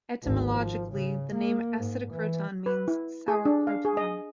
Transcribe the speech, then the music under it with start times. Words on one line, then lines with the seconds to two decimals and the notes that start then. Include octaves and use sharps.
Etymologically, the name "Acidocroton" means "sour croton".
0.23 G#1 D2
0.53 F3
0.93 C#3
1.34 A#3
1.78 G#2
2.12 E3
2.66 B4
2.88 E4
3.28 G#4
3.45 D4
3.67 F5
3.85 G#4
3.97 D#5